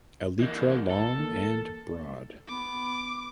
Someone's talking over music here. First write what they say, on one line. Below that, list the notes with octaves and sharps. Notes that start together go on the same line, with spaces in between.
Elytra long and broad.
E3 A#3 D5 D#5 G6
A#1 A4
E3 A#3
B3 D6